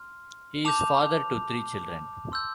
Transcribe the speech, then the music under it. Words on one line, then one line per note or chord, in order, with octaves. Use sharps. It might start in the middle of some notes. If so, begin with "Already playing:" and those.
He is father to three children.
Already playing: C6 F6
A5 D6 G6 F7
C6 E6 G6